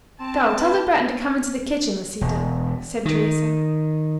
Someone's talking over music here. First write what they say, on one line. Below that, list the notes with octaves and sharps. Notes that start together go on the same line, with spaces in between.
"Go, tell the Breton to come into the kitchen, Lisita," said Teresa.
C4 A5
B4
E1
D#3